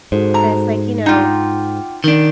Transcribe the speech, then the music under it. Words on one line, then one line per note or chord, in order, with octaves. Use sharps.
and it's, like you know,
G#2 F#4 A4 C5
A#5
D#4 F4 F#5 G5 D6
D#3 D4